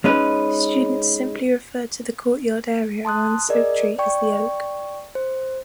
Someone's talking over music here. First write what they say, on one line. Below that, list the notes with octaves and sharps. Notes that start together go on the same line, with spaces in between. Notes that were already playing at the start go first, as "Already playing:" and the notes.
Students simply refer to the courtyard area around this oak tree as The Oak.
G#3 C#4 D#4 B4
A5 C6 D#6 F#6
G#4 A#4 D5 D#5
D5 G5 C#6
C5